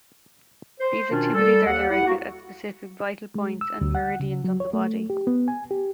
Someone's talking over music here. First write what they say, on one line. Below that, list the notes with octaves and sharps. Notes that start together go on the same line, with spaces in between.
These activities are directed at specific vital points and meridians on the body.
C5
B2 D#3 C#4 D4 F4
G3 A4
D#2 G4 F#5
E4 G4 F#5
A#3 F#4
G#3
E6
D2
F#5
C#3
F#3
C#5
A3
G4
B3
G#5
G4